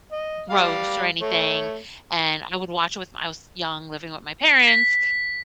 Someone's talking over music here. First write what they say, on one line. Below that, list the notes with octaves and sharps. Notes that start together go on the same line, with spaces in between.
gross or anything and I would watch it with my I was young living with my parents
D#5
G3 F5
A3 C#5
B6